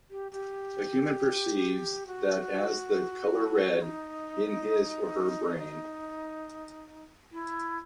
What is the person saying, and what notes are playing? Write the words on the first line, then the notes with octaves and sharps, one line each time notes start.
A human perceives that as the color red in his or her brain.
G4
G4
F#4
D#4
D#4
E4